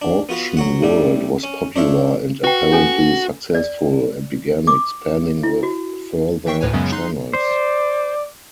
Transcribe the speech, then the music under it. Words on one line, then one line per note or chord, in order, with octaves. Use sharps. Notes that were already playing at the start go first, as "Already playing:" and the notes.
Auction World was popular and apparently successful, and began expanding with further channels.
D4
B3 F4 F#4 B4
F#3 F#4 F#5
A2 G3 D4
C#4
D4 C5 C#5 E5 F5
F#4 B4 G5
C#4 A4 G#5
D5
D6
E4
F#4
E3 E5 G5 C#6 C7
D2 A2 B4 C#5 G#5
F#2 C#3 F#3 G#3 B3 C#4
D#4 C6 F#6 C7
C5 D5